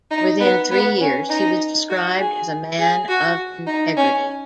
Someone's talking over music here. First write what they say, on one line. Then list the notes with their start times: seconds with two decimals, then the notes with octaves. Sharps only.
Within three years he was described as a man of integrity.
0.11 D#4
0.40 B3
0.71 B3
1.00 C#4
1.29 D#4
1.90 F#4
2.19 G#4
2.79 G#4
3.08 F#4
3.67 D#4
3.97 C#4